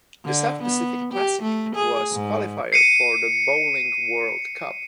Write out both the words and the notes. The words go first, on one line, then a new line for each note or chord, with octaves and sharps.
The South Pacific Classic was qualifier for the Bowling World Cup.
D3
B3
G4
A3
G#4
G#2
C7 C#7 D#7